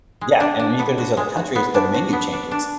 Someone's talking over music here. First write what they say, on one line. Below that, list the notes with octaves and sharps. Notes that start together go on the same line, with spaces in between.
Yeah, and then you go to these other countries, the menu changes.
G#3
D4
D4
B3
F#4
G#3
F#4
B3
D4
F#4
B3
D4
D4